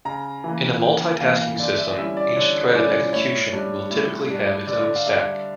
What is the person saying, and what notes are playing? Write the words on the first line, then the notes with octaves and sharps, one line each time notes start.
In a multitasking system, each thread of execution will typically have its own stack.
C#3 A#5
E3 A#3
C#3 G5
E3 A#3 F5
D3 D5
E5
G3 C#4 E4 E5
D5
D3 C#5
G3 C#4 E4 D5
A2 C#5
G3 D4
A2
G3 D4
D3 D5
F5
G3 D4 E5